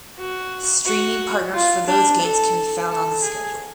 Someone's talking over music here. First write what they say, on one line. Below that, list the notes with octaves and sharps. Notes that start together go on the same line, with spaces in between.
Streaming partners for those games can be found on the schedule.
F#4
F#4
F4
D4
A4
A4
G#4